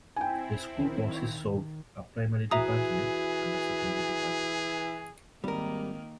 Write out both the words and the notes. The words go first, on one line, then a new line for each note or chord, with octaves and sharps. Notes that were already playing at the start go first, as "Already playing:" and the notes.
The school consists of a primary department and a secondary department.
C4 E4 G5 G#5
D#3
E3 F#4 G#4 E5 A#5 D#6
G#1 D#3 G3 A#3 A#4